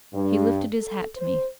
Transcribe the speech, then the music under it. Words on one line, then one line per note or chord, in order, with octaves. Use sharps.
He lifted his hat to me.
G2
A4
C5